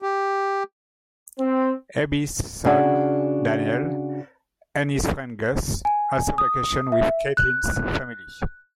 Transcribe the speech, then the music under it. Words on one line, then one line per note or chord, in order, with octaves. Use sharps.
Abby's son, Daniel, and his friend, Gus, also vacation with Caitlin's family.
G4
C4
C#3 D4 F#4 F#5 G#5 A5
G#5
D#6
E5
F#6